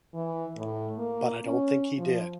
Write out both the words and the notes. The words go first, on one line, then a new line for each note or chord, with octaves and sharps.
But I don't think he did.
E3
A2
A#3
C#4
F3